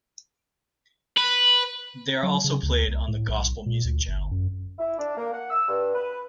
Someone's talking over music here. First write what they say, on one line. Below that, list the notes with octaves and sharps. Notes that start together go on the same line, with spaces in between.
They are also played on the Gospel Music Channel.
B4
F#3
C#3
D2
C2
A2
B1
A#2
D2
G1
F#2
E4
D4
A#3
F#5
E6
G2
B4